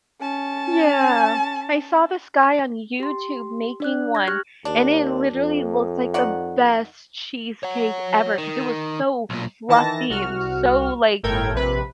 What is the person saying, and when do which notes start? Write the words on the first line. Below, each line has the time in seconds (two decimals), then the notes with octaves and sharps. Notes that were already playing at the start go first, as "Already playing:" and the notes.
Yeah. I saw this guy on YouTube making one, and it literally looks like the best cheesecake ever 'cause it was so fluffy and so, like
0.20 C#4 A5
3.00 G4 C6
3.80 D4 D5 F#6
4.15 G#6 A#6
4.28 G4 C#6 F6 F#6
4.65 D#2 D4
5.34 F2
6.14 D#3 D5 F#5
7.63 C#5 F#5
8.38 D#3
9.30 B1 A#2
9.69 D#3 E3 A5 A#6
10.10 C2 F#4 F6
11.23 G1 A2 A4 A#4 G5 G#6
11.54 A#1 C3 B4 B5